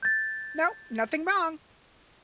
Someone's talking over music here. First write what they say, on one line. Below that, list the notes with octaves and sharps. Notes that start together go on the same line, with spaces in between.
No. Nothing wrong."
G6 A6